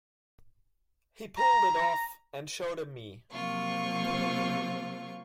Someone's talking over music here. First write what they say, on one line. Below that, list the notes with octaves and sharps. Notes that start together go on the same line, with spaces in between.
He pulled it off and showed 'em me.
A#5
C3 F3 F#3 A#3 F4 C#6